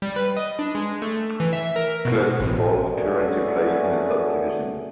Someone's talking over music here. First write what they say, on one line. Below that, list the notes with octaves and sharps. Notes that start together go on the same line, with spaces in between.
Clubs in Bold currently play in the top division.
G3
B4
D#5
D4
G#3
A3
E3
E5
A#4
B2
A1
A3 B3 C#4 F#4 G#4 D5